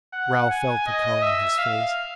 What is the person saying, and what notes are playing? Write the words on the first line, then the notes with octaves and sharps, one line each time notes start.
Ralph felt the colour in his face.
F#5
G#5
D#5
E5
F5